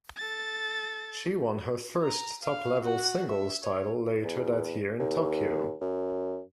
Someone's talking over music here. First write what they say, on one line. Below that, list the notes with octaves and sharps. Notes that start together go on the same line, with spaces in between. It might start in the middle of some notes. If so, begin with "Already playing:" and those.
She won her first top-level singles title later that year in Tokyo.
A4 A6
A#5
F5
F#4 F#5
E5
C#5
E2
D#2
F#2